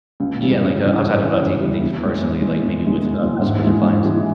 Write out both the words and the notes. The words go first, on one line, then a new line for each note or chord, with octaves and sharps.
Yeah, like, uh, outside of, uh, taking things personally, like, maybe with, uh, customers or clients?
C#2
C#3 E3 G3
C#2
C#3 E3 G3
C#2
C#3 E3 G3
C#2
C#3 E3 G3
E2
E3 G#3
E2
E3 G#3
E2
E3 G#3
E2
E3 G#3
G#2
E3 G#3
G#2
E3 G#3